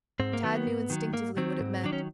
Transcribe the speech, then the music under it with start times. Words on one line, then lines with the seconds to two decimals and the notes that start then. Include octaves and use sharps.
Tad knew instinctively what it meant.
0.20 G#2 C4
0.33 A#3
0.43 D#3 F#3 B3
0.67 G#2
0.90 D#3 F#3
1.13 G#2 A#3
1.37 D#3 F#3 C4
1.60 G#2
1.84 D#3 F#3 D4
1.93 C#4